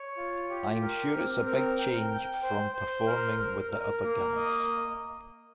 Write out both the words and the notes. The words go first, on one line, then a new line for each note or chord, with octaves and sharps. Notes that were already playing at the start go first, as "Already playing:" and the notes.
I'm sure it's a big change from performing with the other guys.
Already playing: C#5
F4
G4
A#4
C4
A#4
G5
G5
C5
C5
A#4
A#4
A#4
A#3
D#5